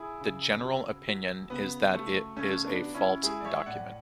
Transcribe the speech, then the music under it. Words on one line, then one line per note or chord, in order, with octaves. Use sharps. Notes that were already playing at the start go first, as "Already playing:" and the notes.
The general opinion is that it is a false document.
Already playing: E4 G#4
C#3
F#3
F#3
C#3 B3
F#3 A3
C#3 A3 C#4
B3 D4
F#3
C#4 E4
G#3 E4 G#4
D5
C#5 E5
A2 D5 F#5